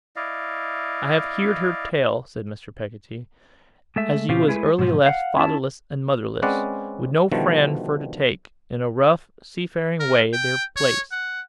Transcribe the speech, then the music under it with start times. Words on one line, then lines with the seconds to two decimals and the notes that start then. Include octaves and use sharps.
'I have heerd her tell,' said Mr. Peggotty, 'as you was early left fatherless and motherless, with no friend fur to take, in a rough seafaring-way, their place.
0.16 E4 D5 D#5 F5
3.96 G#3 A3 E5
4.29 A#2 C#3 C4 F4 G4
4.47 G#3 A3 E4 G4 G#4 B4
4.79 G#2 B2 F3
5.06 F5 F#5
5.37 C#4 E4 A5
6.42 G#3 C4 C#4 B4 D5 F#5
7.32 B2 D3 D#3 F3 G3 A3
10.00 A#4
10.33 G5
10.77 C#5
11.12 F#5